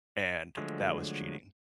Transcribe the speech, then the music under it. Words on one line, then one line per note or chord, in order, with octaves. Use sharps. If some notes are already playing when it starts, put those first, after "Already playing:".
and that was cheating.
D3 F3 F#3 G#3 A3